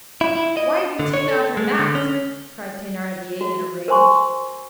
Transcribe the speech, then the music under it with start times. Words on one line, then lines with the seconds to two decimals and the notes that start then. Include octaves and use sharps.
"Why have you taken off your mask?" cried Thenardier in a rage.
0.21 E4
0.35 E4
0.57 D#5
0.99 D3
1.14 C#5
1.28 A4
1.57 G#3
1.79 D3
1.95 C#4
3.41 F#4
3.88 A#4 C5 G#5 C6 C#6